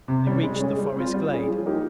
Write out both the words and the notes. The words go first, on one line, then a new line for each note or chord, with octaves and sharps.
They reached the forest glade.
C3
G3 C#4
G#3
C#4 G#4
G3
C4 F4
G3
C#4 G#4
F3
A#3 D#4 G4